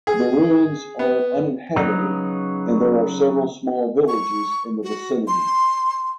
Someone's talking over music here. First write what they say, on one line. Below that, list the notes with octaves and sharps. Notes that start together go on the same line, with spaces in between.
The ruins are uninhabited and there are several small villages in the vicinity.
G#4
B3
C#3 F#3 B3 D#4
C#6
F#4
C6